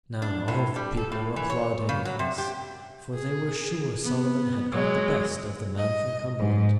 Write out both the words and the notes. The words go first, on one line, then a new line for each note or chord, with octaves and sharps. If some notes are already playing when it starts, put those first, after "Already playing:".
Now all the people applauded at this, for they were sure Solomon had got the best of the man from Cumberland.
D4
A2
G3
A4
A2
E3
C#5
C#3
F#3
C3
G4
G#4
B3
F#3 G#3
D#5
G#2